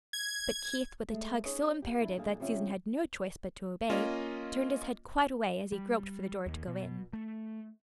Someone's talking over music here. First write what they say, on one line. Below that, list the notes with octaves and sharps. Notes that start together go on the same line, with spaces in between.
But Keith, with a tug so imperative that Susan had no choice but to obey, turned his head quite away as he groped for the door to go in.
G#6
G#3 A3
C#4 D#4 G#4 C#5 D#5
G4
D4 E4
D#2 D3 G4 G#4 F5
C3 F3 G3 C4 C#4 E5
A#3 C#4 F4 D#5
G3
D#2
B2
A3